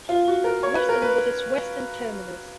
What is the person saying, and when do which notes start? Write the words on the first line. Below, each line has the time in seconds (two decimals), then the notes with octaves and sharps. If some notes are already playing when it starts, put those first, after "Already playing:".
Weston was its western terminus.
0.09 F4
0.28 F#4
0.44 A#4
0.63 C#5
0.75 B4
0.89 A#4
1.02 B4